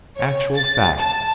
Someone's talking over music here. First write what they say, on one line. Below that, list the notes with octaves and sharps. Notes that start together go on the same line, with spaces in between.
"Actual fact!"
C#5
A6
A5